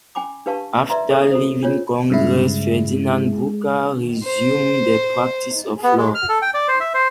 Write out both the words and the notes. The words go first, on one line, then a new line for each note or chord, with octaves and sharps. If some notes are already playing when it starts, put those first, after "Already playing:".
After leaving Congress, Ferdinand Brucker resumed the practice of law.
C#4 G5 G#5 B5 D6
D4 G4 B4 F5 A5 C#6
B4 D5 E5 A#5 C6
G#4 A4 C#5 D#5
F#4 A4 C5
D4 F4 C#5
G2 C#3 G#3 E4
C5
B3
G#3
F6
A4
G5
D5
C5
E5
C5